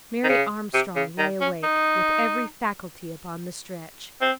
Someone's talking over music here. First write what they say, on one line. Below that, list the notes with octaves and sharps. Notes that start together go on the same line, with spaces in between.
Mary Armstrong lay awake, with every faculty upon the stretch.
D#3
C#3
C3
C#3
D#3
C#4
D#4
C4